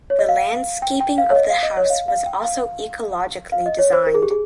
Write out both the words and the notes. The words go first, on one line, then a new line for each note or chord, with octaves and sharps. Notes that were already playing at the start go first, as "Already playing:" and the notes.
The landscaping of the house was also ecologically designed.
C#5
D#5
F5
G5
G5
F5
C#5
D#5
F5
D#5
C#5
D#5
F5
F5
G5
F5
F5
D#5
C#5
C5
A#4
G#4
G4
G#4